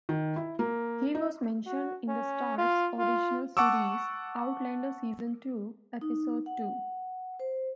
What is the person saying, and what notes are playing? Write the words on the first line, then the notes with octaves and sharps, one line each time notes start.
He was mentioned in the Starz original series, Outlander season two, episode two.
D#3
E4
A#3
D#4
F#4
C#4
F4
F4
F#5 A5 C#6 D6 E6
D#4
F#5
C5